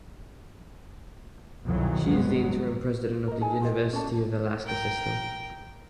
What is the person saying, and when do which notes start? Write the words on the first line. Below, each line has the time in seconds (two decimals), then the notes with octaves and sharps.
She is the interim president of the University of Alaska system.
1.65 C2 F2 B2 D#3 E3 F#3
2.05 G1 F3 F#3 G#3 B3
2.40 F#3
3.28 A#4 D#5
3.41 D#4 G#4 A4 G#5
3.61 F4 G4 D#5
3.93 C#4 F#4 A4 D5
4.66 A#4 G5